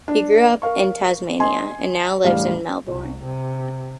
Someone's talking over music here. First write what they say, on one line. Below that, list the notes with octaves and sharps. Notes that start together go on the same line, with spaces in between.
He grew up in Tasmania, and now lives in Melbourne.
D4
A#4 F5 C#6
D#5 G#5 C6
E1 A2 G3 F5
C2
C3